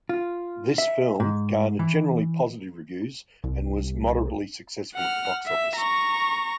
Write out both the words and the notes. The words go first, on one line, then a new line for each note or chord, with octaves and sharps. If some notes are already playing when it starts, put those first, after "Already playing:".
This film garnered generally positive reviews and was moderately successful at the box office.
F4
E5
G#2
E3
C2
F#5 F6
E5
A#5 C#6